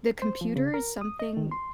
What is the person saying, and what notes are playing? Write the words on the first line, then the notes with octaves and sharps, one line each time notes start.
the computer is something
C5
F3
C#3
A#4
D#6
D#5
D#3
C6